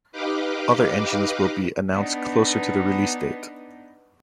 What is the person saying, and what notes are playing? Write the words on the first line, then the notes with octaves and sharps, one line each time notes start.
Other engines will be announced closer to the release date.
D#4 G4 B4 D#5 F5 D6
B3 D4 D#4